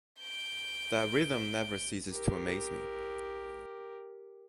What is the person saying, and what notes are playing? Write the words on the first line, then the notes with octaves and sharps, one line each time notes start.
That rhythm never ceases to amaze me.
G6 D7
G4 A#4